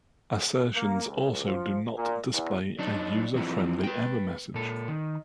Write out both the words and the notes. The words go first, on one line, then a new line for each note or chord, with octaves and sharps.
Assertions also do not display a user-friendly error message.
A#3
C#2
F3
A#2
E2
F#3 D4 D#4
E3 F3 C4 E4
B4 G5
A#2 A4
D#3